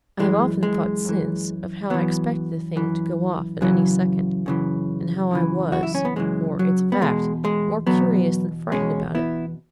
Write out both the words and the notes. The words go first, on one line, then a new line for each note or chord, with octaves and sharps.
I have often thought since of how I expected the thing to go off at any second, and how I was--for it's a fact--more curious than frightened about it.
F#2 E3 G#3
G#3
F#2 E3
F#2 E3 F#3 B3
F#2 E3
F#2 C#3 E3 F#3
F#2 C#3 E3
F#2 C#3 E3
F#4
E4
C#4
B3
F#2 C#3 E3 G#3
F#3
B3
E2 B2 G#3
G#3
E2 B2 F#3 B3
E2 B2 G#3 C#4
B3 E4